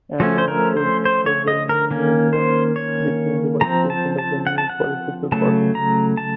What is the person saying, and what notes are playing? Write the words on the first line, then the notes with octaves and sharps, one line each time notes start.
Ana Elisa Villanueva became the vice president of the new political party.
F3 A3 C#4 F#4
C5
A#4
C5
C5
C#5
D#5
A#4
D#3 A#3 C#4
C5
C#5
F3 C4 A#5
A5
A5
F#5
A5
F#5
C#3 F#3 A3 A5
A#5
A5